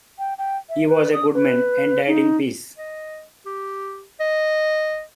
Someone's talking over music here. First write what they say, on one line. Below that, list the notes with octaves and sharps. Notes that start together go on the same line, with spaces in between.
He was a good man, and died in peace.
G5
G5
E5
B4
D#6
B4
D#4
D#5
G4
D#5